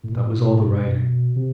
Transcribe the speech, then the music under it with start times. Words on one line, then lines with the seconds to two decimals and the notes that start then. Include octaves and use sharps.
That was all the writing.
0.04 A2
0.12 A#2
0.20 A2
0.28 A#2
0.37 B2
1.36 C3